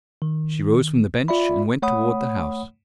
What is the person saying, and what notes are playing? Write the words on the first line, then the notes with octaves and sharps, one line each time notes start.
She rose from the bench and went toward the house.
D#3
F4 D5 E5 B5
A3 C#5 F#5 B5 D#6